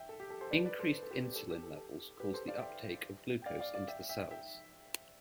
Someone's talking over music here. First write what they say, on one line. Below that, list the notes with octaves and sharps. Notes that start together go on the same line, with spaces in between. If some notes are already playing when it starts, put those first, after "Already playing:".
Increased insulin levels cause the uptake of glucose into the cells.
Already playing: E5 G5
A4
G4
A4
A4 C5
B4 D5
B4 D5
A4 C5
B4
A4
G4 B4
A4
G4
A4
A4
G4 B4
A4 C5
D5 F5
E5 G5
G5
D5 F5
D5 F5
D5 F5
E5 G5
E5 G5
E5 G5